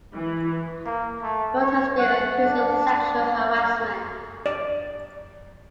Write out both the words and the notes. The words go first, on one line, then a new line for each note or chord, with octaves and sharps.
Nord has been accused of sexual harassment.
E3
A#3
A3
C#5
F#5
D4
D5